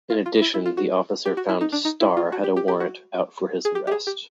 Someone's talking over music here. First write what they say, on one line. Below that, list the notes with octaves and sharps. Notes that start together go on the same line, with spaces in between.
In addition, the officer found Starr had a warrant out for his arrest.
F4
F4
E4
E4
F4
F#4
G4
F#4
E4
D#4
D4
D#4
E4
F4
F#4
G4
G4
G4
F#4
G#4
G4
G4
G#4
G4